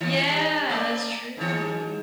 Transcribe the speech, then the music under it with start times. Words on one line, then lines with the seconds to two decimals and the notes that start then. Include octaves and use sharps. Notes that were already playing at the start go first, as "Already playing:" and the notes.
Yeah, that's true.
0.01 D#3
0.29 G3
0.70 A3 D5
1.37 G#2 D#3